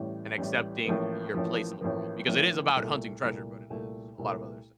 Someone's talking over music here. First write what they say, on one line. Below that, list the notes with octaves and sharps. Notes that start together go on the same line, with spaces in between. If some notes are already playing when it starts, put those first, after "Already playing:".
and accepting your place in the world, because it is about hunting treasure, but it is a lot of other things.
Already playing: A1 A2 G3
A1 A2 G3
A1 A2 F3 A#3
A1 A2 F3 A#3
A1 A2 F3 A#3
A1 A2 F3 A#3
C2 A#2 A3
C2 A#2 A3
C2 A#2 A3
C2 A#2 A3